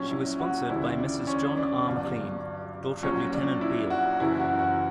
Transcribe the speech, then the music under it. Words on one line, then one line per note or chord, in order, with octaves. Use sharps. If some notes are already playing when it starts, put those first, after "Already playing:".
She was sponsored by Mrs. John R. McLean, daughter of Lieutenant Beale.
Already playing: A#1 A#2 F#3 C#4
E4
F#4
D2 C#3 E3 G3 E4
D4
C#4
D4
G1 G2 F#3
A#1 A#2 F#3 C#4
D4
E4
F#4
F#1 F#2 E3 E4
F#4
F#4